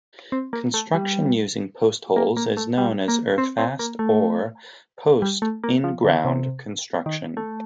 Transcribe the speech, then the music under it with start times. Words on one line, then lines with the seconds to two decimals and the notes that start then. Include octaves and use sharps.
Construction using postholes is known as earthfast or post in ground construction.
0.32 C4
0.53 A#3
0.74 A3
0.94 G3
2.16 A#3
2.37 A#3
2.57 A3
2.78 G3
3.08 A#3
3.38 C4
3.58 C4
3.79 A#3
3.99 A3
5.22 G3
5.42 A3
5.64 A#3
5.84 F3
6.04 D3
6.25 C3
7.06 D#3
7.37 A3